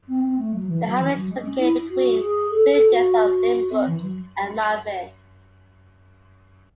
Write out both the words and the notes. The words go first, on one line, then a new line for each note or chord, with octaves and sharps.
The hamlet is located between the Villages of Lynbrook and Malverne.
C4
C4
A3
F#3
E3
F#3
E3
F#3
G#3
C#4
E4
F#4
G#4
A4
A4
F#4
C4
E3
F#3